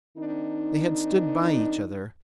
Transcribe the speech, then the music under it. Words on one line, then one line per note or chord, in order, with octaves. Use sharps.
They had stood by each other.
D#3 C4 D4 D#4